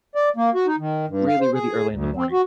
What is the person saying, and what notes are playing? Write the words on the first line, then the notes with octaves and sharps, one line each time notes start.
really, really early in the morning,
D5
A#3
F#4
D#4
D#3
G2
F5
C5
G#4
D2
C4
F#4